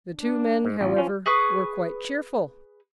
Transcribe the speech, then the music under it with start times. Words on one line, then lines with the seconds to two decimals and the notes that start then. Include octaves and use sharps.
The two men, however, were quite cheerful.
0.16 D4
0.65 G#2
0.81 A1 F4
0.97 F3 C#4
1.26 G#4 B4 C#6 D#6